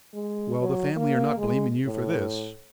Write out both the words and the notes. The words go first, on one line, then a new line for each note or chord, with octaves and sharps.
"Well, the family are not blaming you for this."
G#3
F#3
A#3
G#3
A2